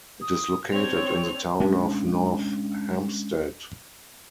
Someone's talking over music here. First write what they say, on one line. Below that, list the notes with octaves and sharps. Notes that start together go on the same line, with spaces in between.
It is located in the Town Of North Hempstead.
D#6
C4 D4 C#5 F7
G#3 C#4 D4